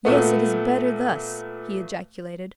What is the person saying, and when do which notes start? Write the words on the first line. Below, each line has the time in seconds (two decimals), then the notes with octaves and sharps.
"Yes, it is better thus," he ejaculated.
0.05 A#2 A3 B3